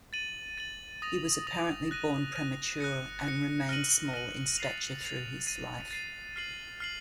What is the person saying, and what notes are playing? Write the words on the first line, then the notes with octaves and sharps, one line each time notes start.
He was apparently born premature and remained small in stature through his life.
A6 D#7 F#7
A6 D#7 F#7
D#6 A#6 F7
D#6 A#6 F7
F#6 A#6 D#7
F#6 A#6 D#7
F#6 A#6 C#7
F#6 A#6 C#7
F6 A#6 D#7 F#7
F6 A#6 D#7 F#7
A6 C7 F7
A6 C7 F7
A6 C7 D#7
A6 C7 D#7
F6 C7 F#7
F6 C7 F#7